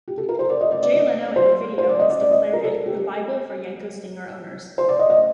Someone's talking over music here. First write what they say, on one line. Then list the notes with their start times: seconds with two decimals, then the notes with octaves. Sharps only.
Jay Leno in a video has declared it "the bible for Yenko Stinger owners".
0.08 G4
0.18 A4
0.29 A#4
0.39 C5
0.50 D5
0.61 D#5
0.72 D5
0.83 D5
0.94 D#5
1.36 C5
1.78 C5
1.89 D5
1.99 D#5
2.10 D5
2.21 D5
2.31 D#5
2.53 A#4
2.64 A4
2.86 G4
4.78 C5
4.89 D5
4.99 D#5
5.10 D#5